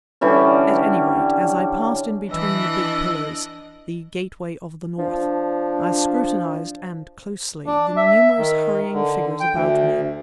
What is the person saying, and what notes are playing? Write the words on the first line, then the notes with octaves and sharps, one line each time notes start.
At any rate, as I passed in between the big pillars, "The gateway of the North," I scrutinized, and closely, the numerous hurrying figures about me.
D3 E3 G3 C#4
E3 D4 D#5 E6 F#6
F3 D4
D4
E5
D#3
D3
G5
D2